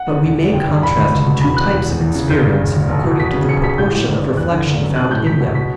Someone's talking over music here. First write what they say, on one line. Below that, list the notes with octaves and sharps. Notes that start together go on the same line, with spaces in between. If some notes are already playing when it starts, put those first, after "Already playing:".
But we may contrast two types of experience according to the proportion of reflection found in them.
Already playing: F#5
D3
E1
E2
G1 G5
G2
E1 B5
D2
C#2
B2
E1 B5
E2 F#6
E1
E2
E2
C#3
G1 G6
G2
E1
D2
B1
B2
E2 B6
C#3
B1 C#7
B2 B6
A1 G6
A2
G1
G2
E2 F#6
D3
G1
F#2
B1 F#6
A2 G6
C#2 B6
B2
B6